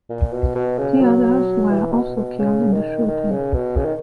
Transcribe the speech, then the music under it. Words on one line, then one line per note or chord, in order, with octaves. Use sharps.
Two others were also killed in the shooting.
A#2
B2
B2
C#3
F#3
E3
B2
B2
C#3
D#3
D#3
C#3
B2
C#3
D#3